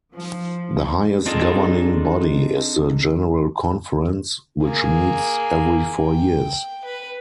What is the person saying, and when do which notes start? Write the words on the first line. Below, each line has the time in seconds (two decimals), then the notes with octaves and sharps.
The highest governing body is the General Conference, which meets every four years.
0.13 F3
1.26 C4 D4 D#4 F4 G#4 A4
4.63 A#3 G#4
6.01 G5
6.85 B4